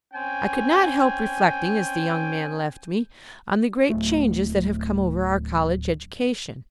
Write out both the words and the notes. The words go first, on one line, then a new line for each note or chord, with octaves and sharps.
I could not help reflecting, as the young man left me, on the great changes that have come over our college education.
C4 C#4 G5 G#5
D1 A3